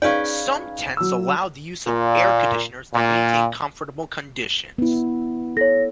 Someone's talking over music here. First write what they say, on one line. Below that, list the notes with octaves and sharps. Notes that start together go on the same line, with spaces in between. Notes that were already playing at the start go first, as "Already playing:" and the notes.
Some tents allow the use of air conditioners to maintain comfortable conditions.
C#4 D#4 G#4 B4 D5 F5 G5
F#3 E6
A#2
A#2
B3 E4
A4 C#5 A#6